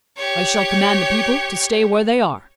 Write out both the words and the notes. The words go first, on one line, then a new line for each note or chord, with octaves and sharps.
"I shall command the people to stay where they are."
G4 C#5